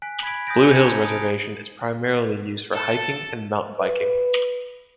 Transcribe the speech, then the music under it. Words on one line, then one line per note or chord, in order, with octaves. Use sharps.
Blue Hills Reservation is primarily used for hiking and mountain biking.
G#5 F#6 B6
B5 G#6 B6 D7
G#5 D#6 F#6 G6 A#6 D7
G#5 F#6 C#7 D7 F7
A5 A#5 G#6
D#6 D7
A4 A5
B4